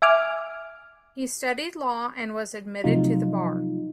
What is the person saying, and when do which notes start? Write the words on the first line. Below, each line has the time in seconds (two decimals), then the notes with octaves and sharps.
He studied law and was admitted to the bar.
0.02 E5 G#5 D6 F6
2.84 C3 F3 F#3 A3 D#4 F4